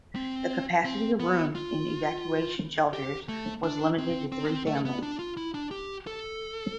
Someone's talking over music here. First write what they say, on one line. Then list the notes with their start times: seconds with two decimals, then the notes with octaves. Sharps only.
The capacity of rooms in evacuation shelters was limited to three families.
0.16 C4
0.85 C4
1.20 B3
1.55 F4
2.93 G4
3.29 A3
3.63 D4
3.98 C4
4.32 C4
4.45 D4
4.50 C4
4.67 A3
4.85 B3
5.03 D4
5.19 F4
5.37 E4
5.54 D4
5.71 G4
6.07 A4